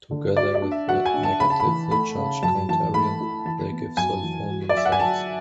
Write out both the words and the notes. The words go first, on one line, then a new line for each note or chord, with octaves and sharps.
Together with a negatively charged counterion, they give sulfonium salts.
D3
F#4 D5
D5
D4
E5
F#4 F#5
G#5
D4
A5
C#3 B5
A5
B5
E3
A3 B5
C#3
F#2 A5
E3 A5
A3 B5
E4
E3 A5
B3
F#2 G#5
E3
F#4
D5
F#3 E5
F#5
G#5
F#3 A5